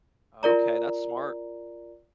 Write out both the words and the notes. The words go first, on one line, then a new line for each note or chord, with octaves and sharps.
Okay, that's smart.
F4 A#4 D5 A#5